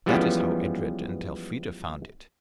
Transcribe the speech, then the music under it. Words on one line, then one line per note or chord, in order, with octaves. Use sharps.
That is how Edred and Elfrida found it.
E3 F3 G3 G#3 B3 C#4